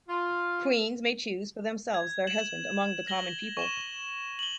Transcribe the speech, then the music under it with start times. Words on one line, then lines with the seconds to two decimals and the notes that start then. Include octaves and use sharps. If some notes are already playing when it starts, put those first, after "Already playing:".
Queens may choose for themselves their husband among the common people.
0.08 F4
1.94 G#6
2.27 E7 F#7
3.07 A#6 F#7 G7
3.57 C#6 E7 G7
4.39 F#7 G7